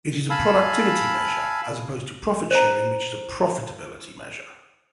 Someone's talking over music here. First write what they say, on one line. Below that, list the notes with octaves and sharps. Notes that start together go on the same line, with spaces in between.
It is a productivity measure, as opposed to profit-sharing which is a profitability measure.
F5 G#5 A5 B5 E6
C5 A#5